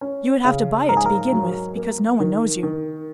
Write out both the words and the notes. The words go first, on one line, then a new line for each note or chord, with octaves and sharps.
You would have to buy it to begin with, because no one knows you.
C#4
C#3
G#2 A#4
G#4
A#4
F#3
A#3
D#3
D#3